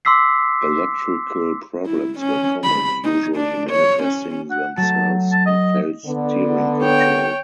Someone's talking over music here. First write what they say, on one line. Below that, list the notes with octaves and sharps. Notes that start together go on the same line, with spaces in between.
Electrical problems were common usually manifesting themselves in failed steering control.
C6 D6 E6 B6 C7
E4
C#4
B5
D#4
D4
C#5
C#4
F#5
F#3 A3 A5
A5
D#5
D3 B3
C#5 G5